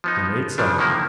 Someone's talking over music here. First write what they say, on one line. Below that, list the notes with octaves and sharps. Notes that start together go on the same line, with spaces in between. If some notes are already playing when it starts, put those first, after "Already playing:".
He needs them.
F3 B3 D#4
C#3 F3 D4
D3 D#3 F3 A#3 E4